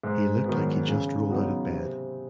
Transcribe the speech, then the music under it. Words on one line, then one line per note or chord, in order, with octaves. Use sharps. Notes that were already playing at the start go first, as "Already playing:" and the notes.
He looked like he just rolled out of bed.
G#2
D#3 F#3 B3
C#3
F#3 B3 D#4
C3